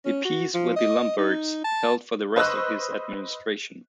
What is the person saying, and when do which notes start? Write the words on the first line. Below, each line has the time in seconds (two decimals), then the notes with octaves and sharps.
The peace with the Lombards held for the rest of his administration.
0.05 C#4
0.25 F#4
0.54 F3
0.76 D#5
1.18 D#4
1.64 A5
2.36 B4 C5 D#5 C#6 E6 F#6